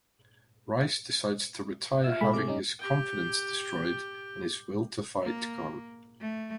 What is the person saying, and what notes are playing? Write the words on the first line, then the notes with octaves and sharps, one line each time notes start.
Reiss decides to retire having his confidence destroyed and his will to fight gone.
F4 E5
B2 G#3 A3 B5
C3 A3 D6
G3 C#4 D#4
G4 G5
A#3
A3